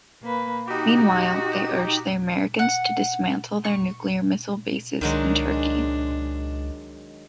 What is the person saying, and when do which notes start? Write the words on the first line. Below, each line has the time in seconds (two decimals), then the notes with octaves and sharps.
Meanwhile, they urged the Americans to dismantle their nuclear missile bases in Turkey.
0.23 A#3 B4
0.68 D#4 F#4 G4
2.59 F#5
3.65 C#6
5.01 C#2 D#3 F#3 G#3 D4